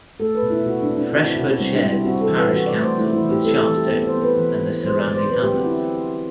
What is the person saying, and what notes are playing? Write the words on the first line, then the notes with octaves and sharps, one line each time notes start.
Freshford shares its parish council with Sharpstone and the surrounding hamlets.
A3 A4
B4
B2
E4
B2 F#4
D4
C4
D4
C4 F#4
E4
C3 F#4
F#4
G3 C4
D4
G3
E4
C4 F#4
A4
E3
B4
E3 F#4
D5
A3
C5
A3 E4
E4
E3
G4
C4 A4
A4
E3
G4
B3 A4
C5
B3
B4
E3
E3
F#3 C5
D5
D3
C5
C4 B4
G4
C4 F#4
E4